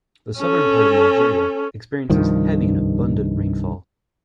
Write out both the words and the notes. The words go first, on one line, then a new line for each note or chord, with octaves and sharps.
The southern part of Nigeria experiences heavy and abundant rainfall.
C#4 A4
C2 G2 D#3 F3